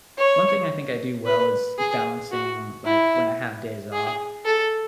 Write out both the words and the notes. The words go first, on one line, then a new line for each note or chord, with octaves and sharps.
One thing I think I do well is, balancing, like, when I have days off,
C#5
B4
G#4
F#4
E4
G#4
A4